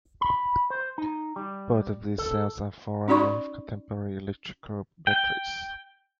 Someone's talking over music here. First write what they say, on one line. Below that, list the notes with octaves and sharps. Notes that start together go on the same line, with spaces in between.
Both of these cells are forerunners of contemporary electrical batteries.
B5
C5
D#4
G3
A4
C#4 D#4 F#4 D5 B5 C#6
G5